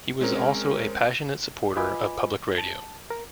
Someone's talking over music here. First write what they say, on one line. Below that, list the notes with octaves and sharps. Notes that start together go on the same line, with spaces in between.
He was also a passionate supporter of public radio.
G#3 C4 C#4 A#4
F4 B4 D#5 G#5 B5 D6
A5
A#4